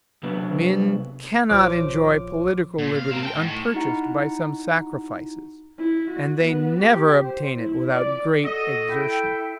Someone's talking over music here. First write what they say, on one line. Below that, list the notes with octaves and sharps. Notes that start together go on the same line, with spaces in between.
Men cannot enjoy political liberty unpurchased by some sacrifices, and they never obtain it without great exertions.
C3 F#3 B3 D4 B4
A#1 F3 C5 C#5 D6 F6
A#2
F5
C4 A#4
G5 A5
G#2
A2
D#4 E4 F#4 F#5 A#5 C#7
E4
F#4
B3
G4
C5
E4
D5
F#4 A4 D#5
E4 G5